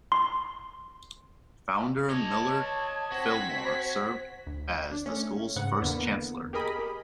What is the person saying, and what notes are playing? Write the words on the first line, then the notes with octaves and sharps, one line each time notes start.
Founder Millard Fillmore served as the school's first chancellor.
C6
C#5 D#5 A5 G#6
C4 F#4 B6
D2
D4
A3 C#4
G#2 C#3 F#5
E2 D3 A#3 B3
G4 G#4 A#4 D#5 B5